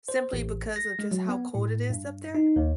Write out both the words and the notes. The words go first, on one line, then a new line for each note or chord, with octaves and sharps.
simply because of just how cold it is up there,
C5
A1
A#6
G#3
F#3
B3
A2
G2
D#4
D#2